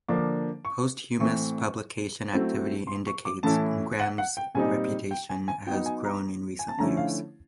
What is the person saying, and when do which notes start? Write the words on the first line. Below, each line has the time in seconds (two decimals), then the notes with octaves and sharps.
Posthumous publication activity indicates, Graham's reputation has grown in recent years.
0.08 D3 F3 A#3 D4 D6
0.65 C#6
1.20 A2 E3 A3 C4 C#6
2.32 F#3 A3 C4 E4
2.87 C6
3.07 C#6
3.25 D6
3.43 A2 E3 A3 C#4 E4 A5
4.00 F#5
4.18 F#5
4.37 G5
4.55 A#2 G3 C4 D#4 G#5
5.11 G5
5.29 G#5
5.48 G#5
5.67 F#3 B3 D#4 G5
5.86 G#5
6.05 A#5
6.59 G#5
6.68 A5
6.78 D3 F3 A3 C#4 E4 A#5
6.97 F5